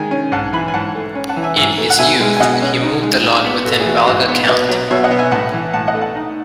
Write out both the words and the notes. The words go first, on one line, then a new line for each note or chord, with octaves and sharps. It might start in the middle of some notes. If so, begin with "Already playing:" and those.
In his youth he moved a lot within Valga County.
Already playing: D#3 G#3 G#5
C#4
G#2 F#5 A5
E3 G#5 B5
G#5
G#2 F#5 A5
A3
C#4
F#5 A5
E3
E5 G#5
G#2 E5 G#5
A3
F#5
B2 E5 G#5
G#3
G#5
B2 D#5 F#5
C#4
D#4
G#3
A2
B3
G#2 F#4 A4
E4 G#4
E3 F#4
E4
G#2 F#4
B3
B2 B4 D#5
F#3
B2 C#5 E5
D#5 F#5
B3
E5 G#5
A2 F#5 A5
E3
A2 F#5 A5
D#5 F#5
A3
F#5 A5
D#4